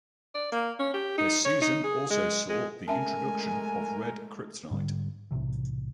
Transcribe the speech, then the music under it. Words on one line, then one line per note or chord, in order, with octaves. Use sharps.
This season also saw the introduction of red kryptonite.
D5
A#3
C#4
G4
D#4
C#5
D#4
G#4
G#3
G#3
G#3 A3 C#4 A#4 E5 G#5 A5
G#2 D3 G3
B1 A2 C3 E3